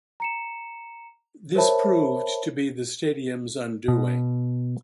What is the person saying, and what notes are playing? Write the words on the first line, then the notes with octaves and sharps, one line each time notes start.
This proved to be the stadium's undoing.
A#5 C#7 E7
A#4 C5 C#5 E5 A5 B5
B2